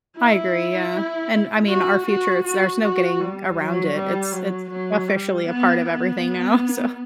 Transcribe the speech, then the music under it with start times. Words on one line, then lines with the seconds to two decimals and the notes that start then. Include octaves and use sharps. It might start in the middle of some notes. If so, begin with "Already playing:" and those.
I agree, yeah. And I mean, our future, it's there's no getting around it. It's it's officially a part of everything now, so
0.17 E4
1.68 F#4
2.06 F#4
2.44 F#4
2.81 F#4
3.20 G3
3.57 F#3
3.95 G3
4.32 F#3
4.70 F#3
5.08 G3
5.46 B3
5.84 B3